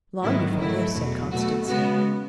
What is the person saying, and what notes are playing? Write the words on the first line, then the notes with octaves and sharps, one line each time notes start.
"Long before this," said Constance.
G#2 D#3 F#3 B3 E4
G#2 F#3 A3 E4
E2 B2 F#3
B2 A3 F#4
C#3 G#3 B3 F#4